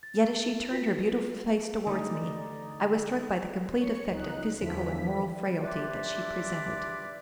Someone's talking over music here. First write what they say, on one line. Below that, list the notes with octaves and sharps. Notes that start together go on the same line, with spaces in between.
Yet, as she turned her beautiful face towards me, I was struck by the complete effect of physical and moral frailty that she presented.
A6
F4 F#4 B4 B6
D3 A3 D#4 D5
C#5 C#7
C#2 D#4 F#6
E2 D3 E3 F3 B6
D4 F4 G4 B4 D5 E5